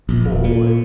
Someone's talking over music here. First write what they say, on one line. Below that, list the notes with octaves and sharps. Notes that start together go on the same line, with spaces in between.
for what
A#1
D#1
A#2